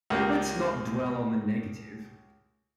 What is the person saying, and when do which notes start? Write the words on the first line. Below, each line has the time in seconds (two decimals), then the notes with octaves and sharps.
Let's not dwell on the negative.
0.10 C#2 A#3 G4